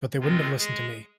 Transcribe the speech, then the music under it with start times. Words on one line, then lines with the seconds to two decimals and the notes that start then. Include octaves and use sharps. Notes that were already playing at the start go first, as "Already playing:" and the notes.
But they wouldn’t have listened to me.
0.20 C3 D#3 G#3 C4 F4
0.58 G#3 G#4